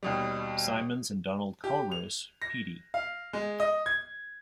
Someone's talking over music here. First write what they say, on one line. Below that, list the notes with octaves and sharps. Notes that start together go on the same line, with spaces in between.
Simonds and Donald Culross Peattie.
D#2 B2 G3
G4
F7
A#6
F5
G#3
D#5
G#6